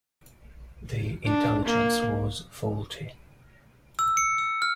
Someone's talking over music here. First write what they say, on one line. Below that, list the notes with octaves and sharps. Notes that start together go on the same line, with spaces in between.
The intelligence was faulty.
D4
A#3
E6
C#7
E6
F6